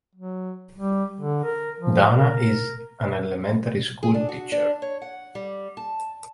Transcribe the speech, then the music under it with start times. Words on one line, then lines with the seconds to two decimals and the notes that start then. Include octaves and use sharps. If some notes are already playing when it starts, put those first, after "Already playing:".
Dana is an elementary school teacher.
0.15 F#3
0.76 G3
1.21 D3
1.44 A#4
1.80 F3
2.15 A#4
4.03 G#4
4.14 D4
4.29 F#4
4.52 D4
4.82 C#5
5.02 F#5
5.35 G3
5.77 A5